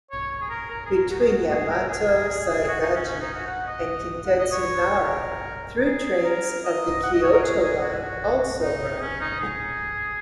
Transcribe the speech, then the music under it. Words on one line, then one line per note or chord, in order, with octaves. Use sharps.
Between Yamato-Saidaiji and Kintetsu Nara, through trains of the Kyoto Line also run.
C#5
C#5
G#4
A#4
A#4
G#4
A#4
F#4
G#4
F#4
G#4
A#4
G#4
G#4
G#4
F#4
D#4
C#4
C#4
D#4
F#4
F#5
D#5
F#5
D#5
C#5
A#4
G#4
A#4
D#5
F#5
D#5
C#5
A#4
G#4
G#4
F#4
D#4
C#4
D#4
G#4